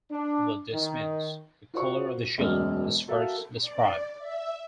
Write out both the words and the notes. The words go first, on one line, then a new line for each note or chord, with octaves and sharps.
What this means: The colour of the shield is first described.
D4
D#3
F4 F#4 A#4 C5 D5 C#6
E1 F#2 A3 D5 D#5 F6
F#4 A4 A#4 E5 F5
D5
E5